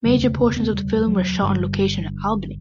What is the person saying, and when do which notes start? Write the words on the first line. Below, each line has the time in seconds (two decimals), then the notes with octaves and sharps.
Major portions of the film were shot on location in Albany.
0.05 E1 D2 C#3 G3
0.22 A3
0.40 B3
0.57 B3
0.74 G3
1.07 F#3
1.42 G1 G2 D3 G3